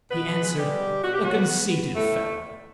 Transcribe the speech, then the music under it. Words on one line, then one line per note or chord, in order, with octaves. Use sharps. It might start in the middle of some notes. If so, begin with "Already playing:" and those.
He answered, 'A conceited fellow.
B2 B3 B4
G#3
G3 G4
B2
B2 F#4
G4
F#3 F#4
B3
B3
A2 A3 A4